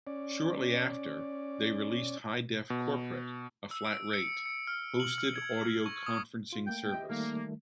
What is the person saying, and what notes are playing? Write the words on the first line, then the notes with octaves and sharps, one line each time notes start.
Shortly after, they released HiDef Corporate, a flat-rate, hosted audio conferencing service.
C#4 D5
B2
E6
D7
C#7
C#7
F6
F#7
F6
G#6
C#6
D#6
F4
A3 A#3 G5
G4 D#5 E5
D#3 G3 A3 A#3